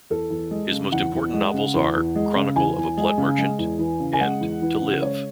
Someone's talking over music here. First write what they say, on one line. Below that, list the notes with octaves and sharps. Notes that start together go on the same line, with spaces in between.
His most important novels are "Chronicle of a Blood Merchant" and "To Live".
E2 A4
E2
G#3
C#3
E2 F#5
E2
G#3
C#3
E2
E2
G#3
C#3
E2 G#5
E2
G#3
C#3
G#3
E2
E3
C#3
G#5
G#3 F#5
E2
E3
C#3
G#3 C#5